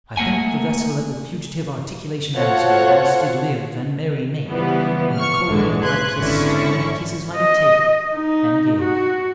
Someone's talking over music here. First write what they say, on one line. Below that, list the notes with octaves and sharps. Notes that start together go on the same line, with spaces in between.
I think the Vessel, that with fugitive Articulation answer'd, once did live, And merry-make; and the cold Lip I kiss'd How many Kisses might it take--and give.
A3 A#3 F#5 G#5
F4 F#4 A4 C5 C#5 F#5
C#3 E3 F3 G3 B3
C#6 F6
A#1 G#2 D3 E3 G#3
B4 C6 F#6 G#6
G#1 D3 C#4 E4 C#6
D#5
D#4
F#4